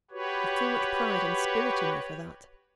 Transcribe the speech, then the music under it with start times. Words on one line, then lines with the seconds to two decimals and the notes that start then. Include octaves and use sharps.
You've too much pride and spirit in you for that.
0.11 F#4 G4 B4 C#5